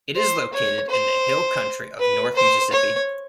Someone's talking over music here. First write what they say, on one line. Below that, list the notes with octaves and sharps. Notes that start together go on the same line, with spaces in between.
It is located in the hill country of north Mississippi.
C5
C#5
C5
B4
C5
C#5